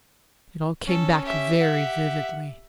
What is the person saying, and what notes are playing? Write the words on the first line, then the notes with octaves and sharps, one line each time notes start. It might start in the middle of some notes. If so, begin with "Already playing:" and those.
It all came back very vividly.
C#4 A4
G4 E5
F#5